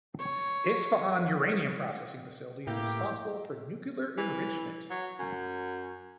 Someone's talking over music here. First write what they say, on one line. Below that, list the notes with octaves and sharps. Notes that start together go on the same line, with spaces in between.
Isfahan uranium processing facility is responsible for nuclear enrichment.
C#5
A2 A#3 E4 G4
E3
F#3
F#2